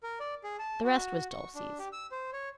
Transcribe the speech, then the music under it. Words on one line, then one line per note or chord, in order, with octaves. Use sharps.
The rest was Dulcie's.
A#4
D5
G#4
A5
F#4
C#6
D4
G4
E6
C5
C#5